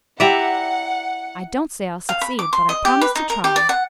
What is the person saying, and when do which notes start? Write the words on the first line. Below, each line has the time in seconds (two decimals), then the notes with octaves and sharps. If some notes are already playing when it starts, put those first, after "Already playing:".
I don't say I'll succeed, but I promise to try.
0.20 E4 G4 D5 E5 F#5 A#5
2.09 F5
2.21 B5
2.39 D6
2.53 C6
2.69 D#5
2.85 G4
3.01 B4
3.15 D#4
3.30 A#4
3.44 G4
3.56 D5
3.69 F#5